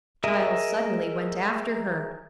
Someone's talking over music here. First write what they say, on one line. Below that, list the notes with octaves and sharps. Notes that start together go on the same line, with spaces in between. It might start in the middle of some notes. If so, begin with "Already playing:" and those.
Giles suddenly went after her.
G#4 A#4 D#5 E5